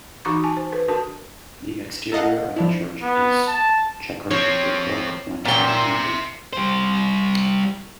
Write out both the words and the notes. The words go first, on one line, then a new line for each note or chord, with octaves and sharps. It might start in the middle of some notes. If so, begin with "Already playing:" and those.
The exterior of the church is chequered with brickwork, limestone and flint.
E3 D#4 F#4 A#5 C#6 D6
G#5 A5
C5
A4 B4
D4 F#4 A#4 A5
A4 A#4 D#5 F5 F#5
F3 D4 E4
B3
A5
F3 C4 C#5
A#2 E3 C#4 G5
C5 E5
G3 C5